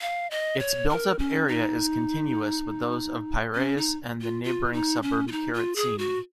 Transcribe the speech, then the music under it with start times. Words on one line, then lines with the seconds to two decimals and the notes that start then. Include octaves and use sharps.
Its built-up area is continuous with those of Piraeus and the neighbouring suburb Keratsini.
0.01 F5
0.31 D#5
0.60 C#5
0.90 A#4
1.19 C#4
1.48 D#4
3.55 C#4
3.78 D#4
4.21 F4
4.44 F4
4.73 D#4
5.02 C#4
5.27 F4
5.32 D#4
5.54 F4
5.76 G#4
5.99 F#4